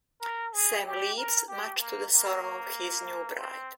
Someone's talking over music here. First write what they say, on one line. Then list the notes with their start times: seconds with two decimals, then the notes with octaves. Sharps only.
Sam leaves, much to the sorrow of his new bride.
0.21 A#4
0.53 G#4
0.85 G4
1.17 A#4
1.48 G4
1.80 A#3
2.12 A#3
3.38 C4